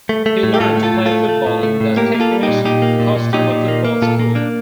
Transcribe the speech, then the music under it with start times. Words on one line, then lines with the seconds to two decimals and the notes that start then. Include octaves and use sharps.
He learned to play football in the Tekmash Kostroma football school.
0.09 A3
0.26 A3
0.43 A2
0.54 G4
0.60 A2 F4 A4
0.77 A3
0.83 F4 A4
0.94 A2
1.06 F4 A4
1.12 A3
1.29 A3
1.46 A2
1.63 A3
1.80 A2
1.97 A#3 G4 A#4
2.15 A#3
2.20 F4 A4
2.32 G3
2.43 D#4 G4
2.48 A#2
2.64 A#2 D#4 G4
2.82 A#3
3.00 A#2
3.16 A#2
3.33 A#2 D#4 G4
3.50 A#2
3.68 A#3
3.85 A#3
4.02 A#2 F4 A4
4.19 A#3
4.35 A#3 D4